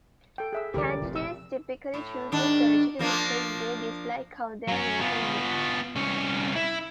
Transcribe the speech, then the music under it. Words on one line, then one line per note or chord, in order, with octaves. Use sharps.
Candidates typically choose the surgery because they dislike how their navel looks.
A4 G5
G#4 E5 E6
C2 D3 E3 G4 A#4 D5
F1 A#2
E6
A2
G#2 D#3 D4
F3 A#3 D4
F#3 C#4
B3 F4
C2 C#4
E4